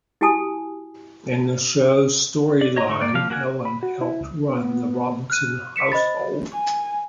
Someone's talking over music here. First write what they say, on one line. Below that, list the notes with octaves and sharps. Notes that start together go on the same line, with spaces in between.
In the show's storyline Helen helped run the Robinson household.
E4 F#4 G4 G#5 A5 D#6
D5
C#5 D#5 A#5
D3 A3 C#6
A#3 D5
F3 A#3 F5
A#3 F#4 A#4 G#5 F#6
B5
F#4
E4
C#2
B3
F6 F#6 D#7
B6 C#7 E7
C5 D#5 B5 A6
G#5